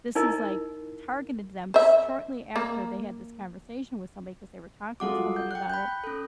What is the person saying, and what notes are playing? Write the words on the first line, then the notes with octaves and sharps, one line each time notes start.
this is, like, targeted them shortly after they had this conversation with somebody, 'cause they were talking to somebody about it,
D#4 E4 A#4 D#5
C5 E5
A#3
F#3 G#3 F4 A4 F#5 D6
F#5 G6
G5 F#6
B5 G6
C#4 A4